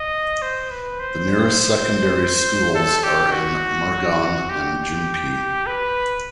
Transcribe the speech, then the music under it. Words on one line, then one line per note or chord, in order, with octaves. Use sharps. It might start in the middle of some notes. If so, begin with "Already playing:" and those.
The nearest secondary schools are in Murgon and Gympie.
Already playing: D#5
C5
B4
C5
A4
G4
F#4
G4
B4